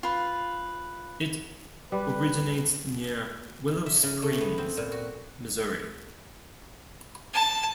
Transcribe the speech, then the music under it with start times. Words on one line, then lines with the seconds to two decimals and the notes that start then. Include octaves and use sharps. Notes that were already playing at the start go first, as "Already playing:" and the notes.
It originates near Willow Springs, Missouri.
0.03 F4 B4
1.92 G3 B4
3.86 E5
4.03 C#3
4.22 A3
4.41 B3
4.58 C4
4.77 A#2
4.92 F#4
7.34 A5